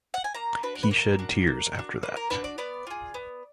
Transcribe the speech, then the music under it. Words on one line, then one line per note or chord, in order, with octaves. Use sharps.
He shed tears after that.
F#5
G#5
A#3 A#5
D4 F#4 B4
D5
B4
A#3 A#4
D4 F#4
A#3
D4 F#4
A#3 B4
A#4
D4 F#4 B4
D5
B3 D5
F4 G#4
B3